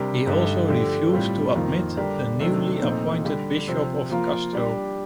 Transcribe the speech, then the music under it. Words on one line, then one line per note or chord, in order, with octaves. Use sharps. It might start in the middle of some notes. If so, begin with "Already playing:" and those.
He also refused to admit the newly appointed bishop of Castro.
Already playing: C3 G3 D4 G4 A#4
G2 D3 A3 D#4 G4
D3 F3 A3 D4 G4
A2 G3 C4 F4
F2 D#3 A#3 F4
D3 G3 D4 G4 A#4
C3 D#3 A3 D4
A#2 F3 A3 C4 D#4
D3 G3 D4 G4
C3 F3 C4
F3 A#3 F4 A#4
G3 D4 G4